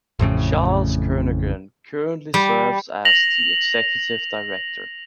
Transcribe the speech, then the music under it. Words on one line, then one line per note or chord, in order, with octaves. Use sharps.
Charles Kernaghan currently serves as the Executive Director.
A1 F2 A2 C#3
G3
A#6 F7 F#7